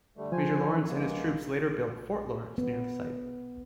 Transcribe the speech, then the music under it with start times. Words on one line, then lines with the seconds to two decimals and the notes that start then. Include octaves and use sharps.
Major Lawrence and his troops later built Fort Lawrence near the site.
0.17 D3 G3 A3
0.32 F3 C5 G#5
0.87 G#3 A#3 B3
2.58 B3